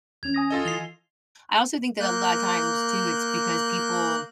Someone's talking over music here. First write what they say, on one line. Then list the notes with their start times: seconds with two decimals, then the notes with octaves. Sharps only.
I also think that a lotta times too, it's because people
0.23 D#2 C#4 G#6 F7
0.34 G#5 D#6 A#6
0.50 F4 A4 D#5
0.65 E3 C7 F7 G7
2.00 A#3 F#6 G6